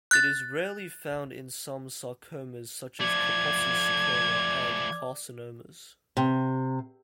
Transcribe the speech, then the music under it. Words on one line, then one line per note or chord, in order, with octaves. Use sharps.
It is rarely found in some sarcomas, such as Kaposi's sarcoma, and carcinomas.
F#6 A6
F3 A3 D5 G#6
C3